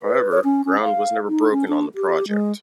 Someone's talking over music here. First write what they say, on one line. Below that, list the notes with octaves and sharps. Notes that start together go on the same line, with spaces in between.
However, ground was never broken on the project.
B4
C#5
C#4
C#4
F5
D#4
C#4
D4
G4
G#3